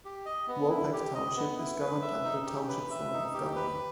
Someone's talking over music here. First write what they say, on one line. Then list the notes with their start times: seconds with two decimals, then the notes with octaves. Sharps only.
Walpack Township is governed under the Township form of government.
0.05 G4
0.26 D#5
0.48 B3
0.70 E4
0.93 G4
1.15 D#5
1.36 B3
1.58 E4
1.80 B4
2.02 E5
2.24 D#4
2.46 G4
2.68 B4
2.90 E5
3.13 D#4
3.34 G4
3.55 B4